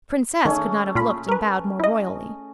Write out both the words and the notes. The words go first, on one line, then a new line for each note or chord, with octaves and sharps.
A princess could not have looked and bowed more royally.
D#3 A3 C#4 G#4
A#2 F4 B5
A#4 B4
E4 D#5